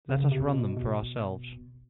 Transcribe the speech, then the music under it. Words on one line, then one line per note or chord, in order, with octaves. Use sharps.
Let us run them for ourselves.
C#3
C3
B2
B2